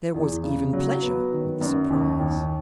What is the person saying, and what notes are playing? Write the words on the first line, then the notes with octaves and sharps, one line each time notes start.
There was even pleasure with the surprise.
E2
C#3
F#3
B3
D#3
F#2
D#2
D#2